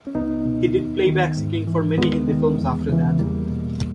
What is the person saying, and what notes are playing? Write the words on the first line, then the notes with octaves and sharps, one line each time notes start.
He did playback singing for many Hindi films after that.
C#4
C#2 B3 D#4
B2
D#2
D#3
G#2
E3
D#2 G#3 B3
D#3
E2
C#3 E3
E2 G3 A#3
B2